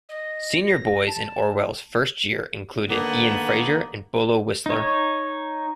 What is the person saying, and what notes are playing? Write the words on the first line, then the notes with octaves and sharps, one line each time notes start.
Senior boys in Orwell's first year included Ian Fraser and Bolo Whistler.
D#5
A#6
A5
D3 D#3 A#3 B3
D#4 C#5